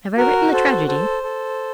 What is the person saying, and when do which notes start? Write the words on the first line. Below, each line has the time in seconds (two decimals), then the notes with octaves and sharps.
Have I written the tragedy?
0.17 F#4 A#4
0.53 A4 C5
0.88 A4 C5
1.23 A4